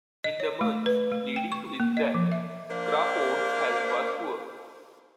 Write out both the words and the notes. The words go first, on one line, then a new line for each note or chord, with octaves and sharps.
In the months leading to his death, Crawford's health was poor.
D#5
C#5
A3
B4
A3
G5
C#6
A#3
D#5
F3
E5
A#3 D4 C5 F5